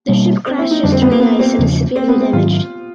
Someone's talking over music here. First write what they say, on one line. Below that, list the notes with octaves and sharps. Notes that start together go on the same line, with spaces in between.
The ship crashes through the ice and is severely damaged.
B2 G3 A#3
C4
E4
D#4
F2 D3 G3 D4
C4
B3
A#3
B3
C4
E2 C#3 F3
C4
B3
C4
G#2 D#3 F#3 F4